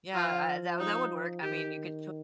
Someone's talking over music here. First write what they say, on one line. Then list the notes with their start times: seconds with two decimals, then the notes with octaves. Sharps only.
Yeah, uh, that would that would work, I mean, you could,
0.14 F3 F4
0.79 D#4
1.41 D#3 G4